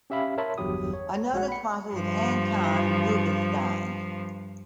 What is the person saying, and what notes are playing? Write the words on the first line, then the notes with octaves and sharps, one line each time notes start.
Another sponsor was Anton Rubinstein.
C#4 G4 E5 F5 B5
A#4 C#5 E5 A5 B5 C6
G1 E2 G2 F#3 G4 D#6
C#5
A#1 G#3 F#4 C#5 F#5
B5 C#7
G2 F3